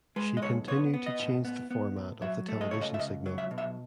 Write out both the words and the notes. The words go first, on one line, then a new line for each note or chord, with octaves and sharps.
She continued to change the format of the television signal.
G#3 B4
D#5
B1 C#5
B3 C#5
B3
D#5
A2
B3
B3
A2
F#3 E5
A3
D#5
C#2 C#5
D#5
E5
C#2 D#5
F#3
E5
B2
E5